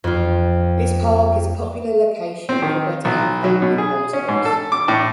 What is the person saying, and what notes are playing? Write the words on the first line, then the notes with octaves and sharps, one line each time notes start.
This park is a popular location for wedding and family photos.
F2 F4
C4
D#3
B1
F#3
B2
G#4
C#4
G#2
A4
D6
A2